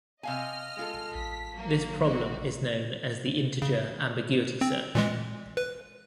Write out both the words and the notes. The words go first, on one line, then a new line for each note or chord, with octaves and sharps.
This problem is known as the integer ambiguity search.
C3 D#5 F5 G#5 F6
G#3 F4 A4
A1 B6
F#3 A#3
C3 A#3 C4 F#4
C#3
C4
A#2 E3 G#3
B4